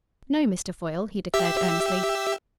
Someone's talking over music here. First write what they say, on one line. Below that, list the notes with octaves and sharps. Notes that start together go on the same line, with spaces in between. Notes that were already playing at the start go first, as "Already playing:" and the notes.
"No, Mr. Foyle," he declared earnestly.
G4 E5 E6